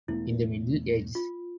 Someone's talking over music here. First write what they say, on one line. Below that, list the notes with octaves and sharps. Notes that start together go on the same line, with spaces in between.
In the Middle Ages.
E1 A3 B3 E4
F4